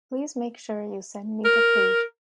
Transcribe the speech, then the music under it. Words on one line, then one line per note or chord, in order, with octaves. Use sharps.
Please make sure you send me the page.
A#4